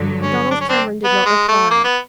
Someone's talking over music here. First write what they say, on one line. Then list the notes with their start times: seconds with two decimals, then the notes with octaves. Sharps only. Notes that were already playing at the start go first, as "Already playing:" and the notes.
Donald Cameron did not reply.
Already playing: G2 D3 F#3
0.21 C#4
0.51 D4
0.61 C#4
0.69 C4 D4
1.04 B3
1.26 G#3
1.48 A3
1.71 A#3
1.84 B3